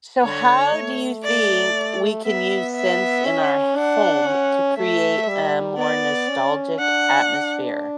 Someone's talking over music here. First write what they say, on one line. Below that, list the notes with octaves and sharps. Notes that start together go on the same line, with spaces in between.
So how do you think we can use scents in our home to create a more nostalgic atmosphere?
D3 C#5
A3
D5
B3 E5
E5
C#4
D4 F#5
C#4
A3 E5
G3
B3 D5
C#4
D4 F#5